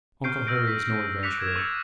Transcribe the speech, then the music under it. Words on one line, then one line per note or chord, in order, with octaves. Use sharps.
Uncle Harry was no adventurer.
C#6 F6 G6 C7 D7
E6 F6 G6 A#6 C7 D7
F6 B6
D6 F#6 A6 B6 C#7 F7
E6 G#6 E7
C#6 E6 A6 C#7